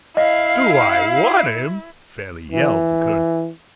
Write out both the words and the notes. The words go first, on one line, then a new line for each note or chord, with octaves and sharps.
"Do I want him?" fairly yelled the colonel.
E4 D#5 F5
E3